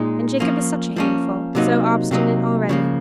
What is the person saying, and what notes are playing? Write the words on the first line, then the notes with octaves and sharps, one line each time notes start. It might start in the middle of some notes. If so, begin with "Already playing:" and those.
And Jacob is such a handful; so obstinate already.
Already playing: A#2 G#3 D#4
F3 A#3 C#4
F3 A#3 C#4
C3 F#3 A#3 D#4
C3 F#3 A#3 D#4
C#3 F3 A#3